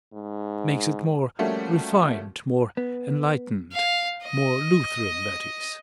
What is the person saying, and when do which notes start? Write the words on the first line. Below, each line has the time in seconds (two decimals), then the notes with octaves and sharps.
It makes it more refined, more enlightened, more Lutheran that is.
0.14 G#2
1.39 F3 G3 A3 A#3 C#4 F#4
2.77 B3
3.72 F5
4.24 D#5